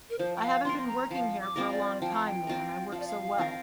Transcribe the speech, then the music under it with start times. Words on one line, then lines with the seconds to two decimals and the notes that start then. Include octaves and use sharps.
I haven't been here for a long time, man, I work so well.
0.10 A#4
0.19 F3 C5
0.36 G5
0.42 F5
0.64 C4 F4 A#4 C6
0.78 C6
0.87 A#5
1.10 F3 F5
1.41 D6
1.56 C4 F4 A#4
1.71 D5
2.01 F3 G5
2.14 A#5
2.26 G5
2.47 C4 F4 A#4
2.92 F3 F5
3.00 D5
3.07 F5
3.38 C4 F4 A#4